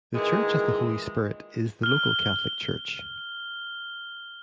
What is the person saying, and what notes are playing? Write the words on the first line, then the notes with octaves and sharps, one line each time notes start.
The Church of the Holy Spirit is the local Catholic church.
A#2 D#3 E3 G#3
F6 G7